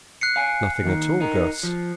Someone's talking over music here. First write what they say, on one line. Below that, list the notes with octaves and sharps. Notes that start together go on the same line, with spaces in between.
"Nothing at all, Guss."
F#6 C7 C#7
F5 G#5
D#2 D#3
D#4 A#4
F3